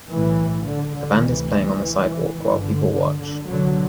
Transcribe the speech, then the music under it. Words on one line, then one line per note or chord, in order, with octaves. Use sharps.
A band is playing on the sidewalk while people watch.
B1 A2 E3
D3
D3
D2 C3 E3
G1 G2 E3
D3
D3
D3
C2 B2 D3 F#3